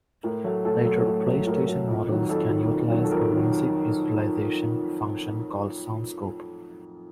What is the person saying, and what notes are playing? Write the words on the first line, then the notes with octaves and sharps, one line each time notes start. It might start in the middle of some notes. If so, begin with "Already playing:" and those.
Later PlayStation models can utilize a music visualization function called SoundScope.
A2 A#4
F#3 A3
A2 A4
F#3 A3
A2
F#3 A3
A2 A#4
F#3 A3
F2
D#3 F#3
F2 A4
D#3 F#3
F2
D#3 F#3
A4
F2 A#4
D#3 F#3